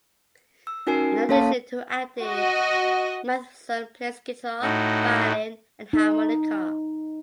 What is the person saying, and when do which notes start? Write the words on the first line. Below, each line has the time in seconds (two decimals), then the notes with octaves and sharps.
In addition to acting, Matheson plays guitar, violin and harmonica.
0.67 E6
0.87 C#4 D#4 F#4 A#4 G#5 C7
1.29 A#3 C#4 A4 C#5 F5 A5
2.23 F#4 D#5
4.62 A2 D#4 F#4
5.93 D#4